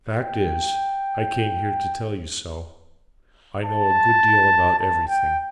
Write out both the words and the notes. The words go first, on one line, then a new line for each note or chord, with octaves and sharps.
"The fact is--I came here to tell you so!--I know a good deal about everything."
G5
A5
A5
G5